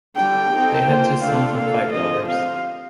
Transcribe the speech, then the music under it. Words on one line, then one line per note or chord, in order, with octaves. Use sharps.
They had two sons and five daughters.
D3 G3 D4 G5
C4 D#4 A4
A#3 F4 C5
D3 A3 D4 F4 A4 F5
A#3 D4 A4 F5
D3 F3 C4 F4 D#5
C4 G4 C5 F5